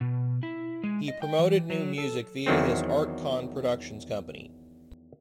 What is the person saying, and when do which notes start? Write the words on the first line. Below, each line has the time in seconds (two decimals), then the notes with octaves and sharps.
He promoted new music via his Art-Con Productions company.
0.01 B2
0.43 E4
0.84 G#3
1.08 D#5
1.22 G5
1.39 E3
1.70 F#3
1.98 A4
2.46 E2 D#3 F#3 C4